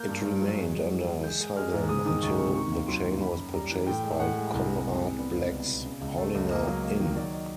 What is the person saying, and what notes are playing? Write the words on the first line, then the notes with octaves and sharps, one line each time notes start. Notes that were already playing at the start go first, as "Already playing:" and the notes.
It remained under Southam until the chain was purchased by Conrad Black's Hollinger In.
Already playing: A#3 G6
G2
G2
F#3
G#3
G#3
E3
E3
G#3 G6
G#3
G#3 F6
G#2
G#3 D#6
D#3 D#6
C#2 C#6
C3 C#6
D#3 C#6
D#2
F#3 C6
D#2
F#2 B5
F#2
G3 A#5
E3
A2 G5
G#3
A2 F#5
G#3
C2
C3
C3
C2
B3 D5
C#2 D5
B3
B2
C#3
C#2
A3
C#2
A#3 D#5
F#3
A#3
D#3
F#3 D5
D#5